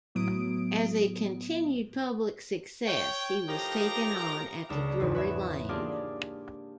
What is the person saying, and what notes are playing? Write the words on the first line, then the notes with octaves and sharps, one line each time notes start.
As a continued public success, he was taken on at the Drury Lane.
A2 F#3 B3 E4 D#6 D7
C#5 G5
A2 F3 D#4 G4 A#4 A#5
C#2 D4 E6
E2 G#2 E3 C4
B4 C#5 E5
A#3 D4 F4 G4 G#4